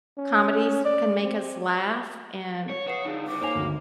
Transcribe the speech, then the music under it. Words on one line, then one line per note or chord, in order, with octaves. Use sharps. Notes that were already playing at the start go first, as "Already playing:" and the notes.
comedies can make us laugh, and,
C#4
D5
C4
C#5
C#3 B4 C#5 F#5 C7
D3 F3 D#4 G#4
C#3 G3 D6
A#3 D#4 C5 C#5 G#5 F7
G#1 D2